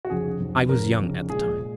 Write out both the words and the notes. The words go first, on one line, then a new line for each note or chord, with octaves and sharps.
I was young at the time.
F#4
F1 F2 C#3 G#4
F1 F2 C#3
F1 F2 C#3 A#4
F1 F2 C#3
A#1 A#2 G#3 G#4
A#2 G#3